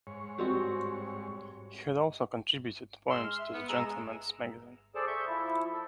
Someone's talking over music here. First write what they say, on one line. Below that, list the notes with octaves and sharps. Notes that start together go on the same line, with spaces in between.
He had also contributed poems to the "Gentleman's Magazine".
G#2 C#5
G3 C4 F#4
G#3 C6 E6
F6
E5
B3
G#3 A#5 E6
G#4 A4 C5 D5 A5
E5 C#6 G6
F3 E4
A4